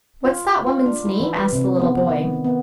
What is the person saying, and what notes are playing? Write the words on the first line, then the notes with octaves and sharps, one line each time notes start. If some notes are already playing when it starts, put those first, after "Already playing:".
"What's that woman's name?" asked the little boy.
F4
F4
D4
E4
E3
C3
B3
D#3
B3